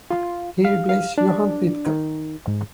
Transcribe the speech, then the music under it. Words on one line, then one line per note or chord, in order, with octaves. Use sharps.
He replaced Johan Pitka.
F4
F5
F5
D4
D#3
G#2